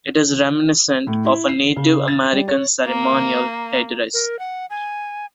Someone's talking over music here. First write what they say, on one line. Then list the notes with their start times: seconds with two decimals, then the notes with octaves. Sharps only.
It is reminiscent of a Native American ceremonial headdress.
1.07 A2
1.25 E4
1.49 C7
1.76 C#3
2.08 A6
2.33 G3
2.48 C#5
2.86 A#3
4.14 A#4
4.39 F#5
4.70 G#5